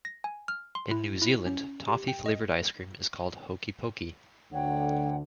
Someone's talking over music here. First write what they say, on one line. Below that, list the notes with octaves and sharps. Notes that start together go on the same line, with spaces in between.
In New Zealand, toffee flavoured ice cream is called "hokey pokey".
A#6
G#5
F6
C6
E4
E4
C#4
G4
G5
D#5
D2 D3 C#5 F#5 G5